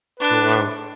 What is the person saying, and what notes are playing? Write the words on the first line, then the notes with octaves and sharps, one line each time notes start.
Oh, wow.
D4 B4